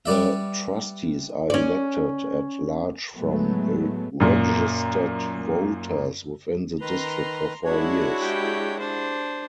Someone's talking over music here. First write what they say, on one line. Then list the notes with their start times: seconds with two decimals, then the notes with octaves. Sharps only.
The trustees are elected at-large from registered voters within the district for four years.
0.06 G3 B3 D5 E5
1.50 C#4 D5
3.17 A2 F#3 G#3 A3 B3
4.20 F#2 A#2
6.81 D#3 B4 A#5 C6
7.64 G#3 D4 E4 F#4 C#5
8.19 G4 G5
8.79 D4 C5